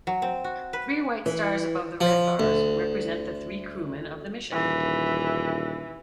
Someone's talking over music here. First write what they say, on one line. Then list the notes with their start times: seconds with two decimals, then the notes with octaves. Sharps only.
Three white stars above the red bars represent the three crewmen of the mission.
0.07 F#3
0.22 C4
0.44 F#4
0.73 B4
1.26 E3
2.01 F3
2.39 D2
4.52 D#1 E3